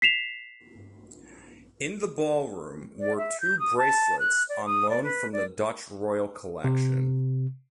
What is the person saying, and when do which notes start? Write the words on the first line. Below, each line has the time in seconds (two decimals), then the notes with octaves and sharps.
In the ballroom were two bracelets on loan from the Dutch Royal collection.
0.02 B6 C7 E7 F7
3.00 D5
3.17 E5
3.40 G6
3.59 D#6
3.77 A5
4.19 F#6
4.49 D5
4.65 D#6
4.89 D5
5.03 B4
5.32 D5
6.64 C3